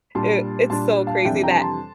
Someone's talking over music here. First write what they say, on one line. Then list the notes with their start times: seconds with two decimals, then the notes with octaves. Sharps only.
it it's so crazy that,
0.15 A#2 G3 D4 A5 C6
0.70 A#2 G3 D4 A5 C6
1.07 F5 A5
1.25 F2 C3 E3 G3 D4 E5 G5
1.43 G5 A#5
1.61 A5 C6